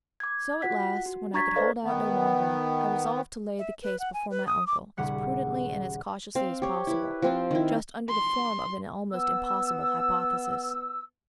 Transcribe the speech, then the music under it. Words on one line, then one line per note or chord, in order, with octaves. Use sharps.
So, at last, when I could hold out no longer, I resolved to lay the case before my uncle, as prudently and as cautiously as possible, just under the form of an almost impossible hypothesis.
D6 G#6
F4 F#4 F#5 B6
F#4
D4 A#5 C#6 G#6 A6 B6
A4 B4 C5 D5 D#5 F5
D#3 B3
E5
B4
F#5
G#5
B4
D#6
D6
D#1 C#3 G3 F#5 F#6
C4 F5
G4 C#5
E4 B4
F3 C4 F4
D#3 E4
C6
B3 E6